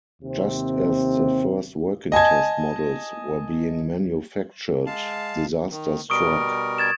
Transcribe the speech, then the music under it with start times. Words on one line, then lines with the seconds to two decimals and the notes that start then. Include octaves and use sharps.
Just as the first working test models were being manufactured, disaster struck.
0.22 D#2 C3 C4
2.12 D#5 G#5 A5 G#6
4.86 G#3 F5 A5
5.71 D#3
6.10 B2 G3 A#4 C#6 D#6 D7
6.78 G#6 A6 E7